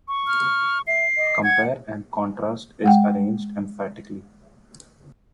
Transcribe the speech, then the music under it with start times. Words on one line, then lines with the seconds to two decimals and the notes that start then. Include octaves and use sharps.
Compare and contrast is arranged emphatically.
0.08 C#6
0.27 F6
0.87 E5 C7
1.17 D#5
1.43 F#5 G#6
2.84 G#3 F#5 G5